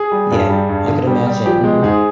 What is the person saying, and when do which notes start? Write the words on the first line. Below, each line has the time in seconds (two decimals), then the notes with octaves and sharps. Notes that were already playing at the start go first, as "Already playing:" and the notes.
Yeah, I could imagine. Mhm.
Already playing: G#4
0.12 G3
0.31 G2
0.50 G3
0.69 G2
0.88 D3
1.07 G3
1.27 G3
1.46 F3 G4
1.64 G#3
1.83 G#2 G#4